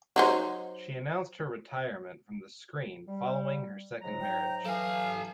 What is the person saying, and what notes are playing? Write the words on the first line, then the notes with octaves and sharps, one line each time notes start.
She announced her retirement from the screen following her second marriage.
F#3 D#4 C5
G3
G#2 F#3 A#5
G5
E3 F#3 A4 F5 G#5